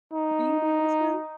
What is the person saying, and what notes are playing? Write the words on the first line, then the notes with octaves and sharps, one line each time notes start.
Do you know how to swim?
D#4